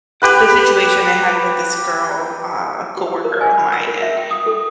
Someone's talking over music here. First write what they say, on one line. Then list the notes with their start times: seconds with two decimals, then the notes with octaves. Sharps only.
the situation I had with this girl, uh, a coworker of mine, and,
0.22 G4 B4 F#5
2.97 G4
3.11 G4
3.24 A#4
3.41 G#5
3.58 B5
3.73 E6
3.87 A#4
4.02 E5
4.16 G5
4.31 D#6
4.46 A4